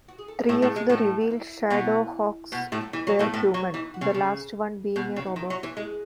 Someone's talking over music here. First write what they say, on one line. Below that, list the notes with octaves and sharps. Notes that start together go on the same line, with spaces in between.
Three of the revealed ShadowHawks were human, the last one being a robot.
F#4
G#4
A4
G#4
A4
A2 A3
G#4
A2 A3
G#3
A2 A3 F#4
F#4
E4
B2 B3 E4
B2 B3
A2 A3
F#3
E3 G#3
F#3
A2 A3
A2 A3 B3
F#3
E3 D#4
F#4
C#3
A4
C#3 G#4
B2 G#4
C#3 F#4
D#4
D#3 E4
F#3
E3
G#3 G#4